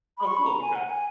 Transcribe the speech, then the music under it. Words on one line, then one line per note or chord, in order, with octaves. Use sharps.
Oh, cool, okay.
B5
C#6
B5
A#5
G#5
F#5
F#5
G#5